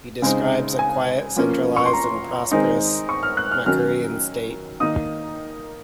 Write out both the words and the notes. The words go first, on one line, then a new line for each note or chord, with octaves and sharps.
He describes a quite centralized and prosperous Makurian state.
C#3 G#3 C4 D#4
G#5
F3 A#3 C#4
C#6
C6
A#5
D#3 G#3 C4 D#4
C#6
F6
F#6
F6
D#3 F#3 C#4 F6
D#3 A#3 D#4 D#6